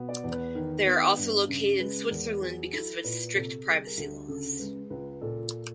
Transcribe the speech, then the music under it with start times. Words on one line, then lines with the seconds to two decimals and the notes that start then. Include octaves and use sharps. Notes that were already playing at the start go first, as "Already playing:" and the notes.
They are also located in Switzerland because of its strict privacy laws.
Already playing: B2 B3
0.09 D5
0.24 E2
0.32 B4
0.55 D#3
0.86 B3
1.17 G2
1.49 C#3
1.79 G#3 B4
2.11 E2 A#4
2.41 F#3 G#4
2.73 E4 A4
3.04 A#2 B4
3.35 C3 A4
3.66 G3 G#4
3.86 A#4
3.97 D2 A4
4.28 C#3 A4
4.59 G#3 B4
4.90 C#2 B4
5.21 A#2 A4